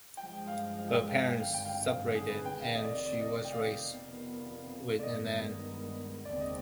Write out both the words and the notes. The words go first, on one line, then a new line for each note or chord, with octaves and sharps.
Her parents separated and she was raised with an aunt.
G2 F3 G#3 G5
F5
F5
G5
F5
G5
G#1 G2 D3 F5
G5
F5
G5
F5
F5
G#4
B4
G5
F1 F2 C3 D#3 F5
D#5
D5
D#5
D5
D#5
G5
F5
F1 F2 C3 D#3 B3
D5
G2 D#3 G#3 B3 D#5
F1 D#2 D3 G#3 C4 D5
D#5